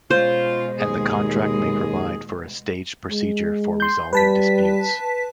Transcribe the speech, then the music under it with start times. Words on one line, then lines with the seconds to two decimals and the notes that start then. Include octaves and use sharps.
And the contract may provide for a staged procedure for resolving disputes.
0.11 B2 G#3 C#4 F4 C5
0.80 D#2 G#4
3.10 G#3
3.80 C6 G6
4.13 G3 B4 A5 B6